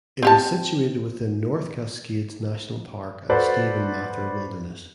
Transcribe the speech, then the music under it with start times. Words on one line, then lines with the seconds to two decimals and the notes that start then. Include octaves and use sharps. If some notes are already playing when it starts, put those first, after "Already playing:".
It is situated within North Cascades National Park and Stephen Mather Wilderness.
0.23 C4 G4 A5
3.30 F#4 A4 B4 C5 D5